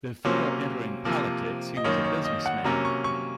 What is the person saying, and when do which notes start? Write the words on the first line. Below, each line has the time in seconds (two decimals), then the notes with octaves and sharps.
Before entering politics he was a businessman.
0.25 C3 F#3 A#3 C#4 C5
1.05 C3 F3 A#3
1.77 D#5
1.84 F#2 D#3 A#3 D#4 C#5
2.04 C#5
2.25 D#5
2.46 F#5
2.64 C3 F#3 A#3 C#4 A#5
2.85 C#6
3.04 C#6